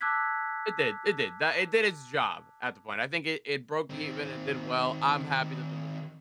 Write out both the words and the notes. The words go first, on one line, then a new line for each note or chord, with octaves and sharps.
It did it did. That it did its job at the point. I think it it broke even. It did well. I'm happy that the movie did well.
A5 D6 E6 F#6 G#6 B6
D#3 C4